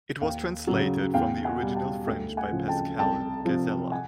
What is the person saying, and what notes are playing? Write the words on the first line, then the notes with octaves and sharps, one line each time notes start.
It was translated from the original French by Pascale Ghazaleh.
D#2 F5 G5
C#3 F#3
E2 F5 G5
F#5 G#5
B2 G3
G5 A5
D2 F5 G5
F#5 G#5
C#3 F3
G5 A5
C2 G5 A5
C3 F3
F#5 G#5